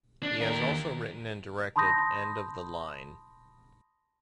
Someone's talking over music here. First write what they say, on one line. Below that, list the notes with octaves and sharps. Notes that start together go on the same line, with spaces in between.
He has also written and directed "End of the Line".
D4
D#2 A#4
A5 B5 C6 D#6 G6 A#6